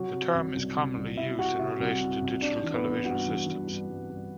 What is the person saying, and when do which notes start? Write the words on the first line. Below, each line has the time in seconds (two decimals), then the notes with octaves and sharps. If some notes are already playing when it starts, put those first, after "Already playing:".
The term is commonly used in relation to digital television systems.
Already playing: C3 F#3 F#4
0.13 C3
0.34 C2
0.55 C2
0.76 C3
0.97 C2
1.17 C2 E4 E5
1.38 G3 F#4 F#5
1.59 C3 E4 E5
1.80 C2 F#4 F#5
2.00 C3
2.22 C2
2.42 G3 D4 D5
2.63 E3
2.74 B3 B4
2.84 G3
3.04 G2 F#4 F#5
3.26 E3
3.46 E3
3.67 G2
3.88 G2
4.09 G2